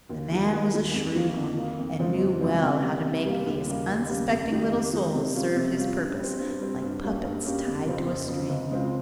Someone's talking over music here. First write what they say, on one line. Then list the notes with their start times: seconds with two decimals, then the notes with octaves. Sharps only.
The man was a shrewd one, and knew well how to make these unsuspecting little souls serve his purpose, like puppets tied to a string.
0.09 D#2
0.31 D#3 G3
0.53 D#2
0.74 D#3 G3
0.94 F2
1.15 D#3 A#3
1.36 F2
1.58 D#3 A#3
1.79 F2
1.99 C#3 F3 G#3 C4
2.20 F2
2.41 C#3 F3 G#3 C4
2.62 C3
2.82 G3 A#3
3.04 C3
3.25 G3 A#3
3.46 D#2
3.66 C#3 G3 A#3
3.88 D#2
4.09 C#3 G3 A#3
4.30 F2
4.51 D#3 G#3 D#4 G4
4.71 F2
4.93 D#3 G#3 D#4 G4
5.14 C3
5.35 G3 C#4 F4
5.56 C3
5.76 G3 C#4 F4
5.98 G2
6.19 G3 C4
6.40 G2
6.60 G3 C4
6.82 G2
7.03 G3 A#3 C#4 G4
7.24 G2
7.45 G3 A#3 C#4 G4
7.66 F2
7.87 C#3 F3 C4
8.07 F2
8.28 C#3 F3 C4
8.49 C#2
8.71 C#3 G#3 C4 F4